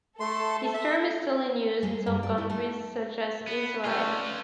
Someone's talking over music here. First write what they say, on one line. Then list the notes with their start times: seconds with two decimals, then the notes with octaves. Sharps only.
This term is still in use in some countries, such as Israel.
0.20 A3 A4 C6
0.74 E5
1.83 G#3
2.07 G2
2.23 D5
2.38 E4
2.50 A3
3.47 B3
3.84 A3 C#4 F4 B4 D5 D#5